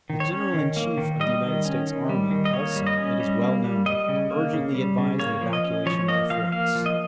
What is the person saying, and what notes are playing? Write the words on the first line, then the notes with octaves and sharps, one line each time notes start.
The General-in-Chief of the United States Army, also, it is well known, urgently advised the evacuation of the forts.
D#3
C#5
C#4
D#3
A#3
D#3
G3 D#5
D#3
C#4
D#3
G3
D#3
D#5
A#3 C#5
G3
D#5
C#4
G3
A#3
G3
G3 D#5
C#3
A#3
C#3
G3
C#3
A#3 C#5
F3
D#5
C#4
F3 C#5
A#3 D#5
F3 F5
A#3 F5
F3
D#5